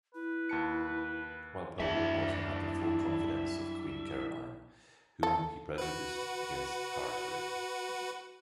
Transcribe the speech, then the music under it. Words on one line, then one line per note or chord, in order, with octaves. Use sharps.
Walpole also had the full confidence of Queen Caroline, whom he prejudiced against Carteret.
E4 B4
D#2 A5 C#7
F#2 E3 G3 D4 E4 E5
A4
F#4 B4